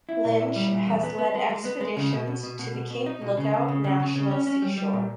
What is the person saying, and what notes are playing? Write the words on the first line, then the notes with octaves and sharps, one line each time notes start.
Lynch has led expeditions to the Cape Lookout National Seashore.
E4
A#2
E4
G3
A#2
E2
B3
B3
G#3
G#3
B3
G#3
C#3
B2
B2
B2
B2
B2
B2
D#4
B2
C#3
C#3
C#3
C#3
C#3
C#3
C#4
C#4
G3
G3
A#2